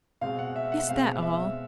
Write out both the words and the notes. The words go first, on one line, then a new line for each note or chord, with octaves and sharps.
"Is that all!"
B2 G#3 C4 F5
F#5
E5
F#5
B2 G#3 C4 F5
E5